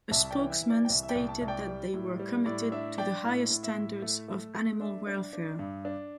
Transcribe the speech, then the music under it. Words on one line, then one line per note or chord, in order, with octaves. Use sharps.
A spokesman stated that they were committed to the "highest standards" of animal welfare.
C2 E5 A5
D5 G5
E3
E5
E3
D5
G5
C2 E5
E5
D5 G5
C2
E5 A5
C2
D5 G5
G3
A2
G3
A2 D5
D4 E5
D4 D5 G5
A2
A2
E5
A2
A3
A3
A3
D4 E5
D4
D4
G2
D4